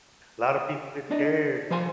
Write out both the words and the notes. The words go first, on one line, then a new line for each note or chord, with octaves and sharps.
Lotta people get scared
D4 D5 D#5
F3 C5 F5 G#5 C6